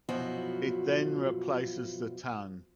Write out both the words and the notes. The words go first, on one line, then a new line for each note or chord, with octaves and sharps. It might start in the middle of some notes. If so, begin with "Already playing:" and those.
It then replaces the tongue.
F#2 B2 F3 E4 F#4